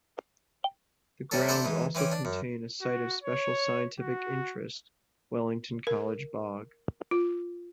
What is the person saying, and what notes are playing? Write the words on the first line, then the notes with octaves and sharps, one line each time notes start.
The grounds also contain a Site of Special Scientific Interest, Wellington College Bog.
C3 G3 C#4 A4
D4 E4 A4 C5 E5 F#5
G#2 E3
E3 C4 C#4 D6
D4
F#2
F#4
C#5
F#4
A#4
F4